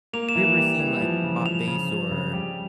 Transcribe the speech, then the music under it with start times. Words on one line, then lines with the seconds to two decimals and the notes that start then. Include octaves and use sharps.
have you ever seen, like, Pop Bass or
0.13 A#3 F7
0.29 E7
0.35 E3
0.57 G3
0.79 E3
1.01 F3
1.24 C#3
1.45 F3 F7
1.67 C#3
1.90 F3
2.11 C#3
2.33 G3